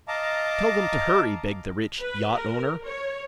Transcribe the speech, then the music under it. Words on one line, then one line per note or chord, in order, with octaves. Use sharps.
"Tell them to hurry," begged the rich yacht owner.
D#5 F5 A5 A#5 D6
B4
A#4
C#5